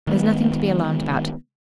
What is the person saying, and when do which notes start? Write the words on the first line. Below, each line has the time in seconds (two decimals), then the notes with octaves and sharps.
There's nothing to be alarmed about.
0.07 D#3 G#3 B3